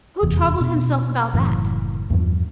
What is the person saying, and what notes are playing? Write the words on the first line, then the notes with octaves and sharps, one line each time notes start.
Who troubled himself about that?
F1 E2
B2
F#1 F#2 A2 E3
E2 G2 F3